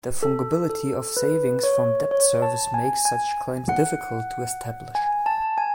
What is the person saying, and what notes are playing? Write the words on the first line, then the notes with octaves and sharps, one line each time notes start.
The fungibility of savings from debt service makes such claims difficult to establish.
A4
A4
B4
C#5
C#5
A5
G#5
G#5
F#5
G#5
A5
G#5